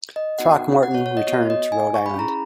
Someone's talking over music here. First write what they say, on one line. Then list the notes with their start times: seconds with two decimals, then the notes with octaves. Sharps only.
Throckmorton returned to Rhode Island.
0.16 D#5
0.38 B3 D#4 F#4 F#5
0.83 F#5
0.95 C#5
1.06 C#5
1.17 D#5
1.27 B3 F#4 C#5
1.50 D#5
1.72 G#5
1.94 C#6
2.06 B5
2.16 C#4 E4 G#4 A#5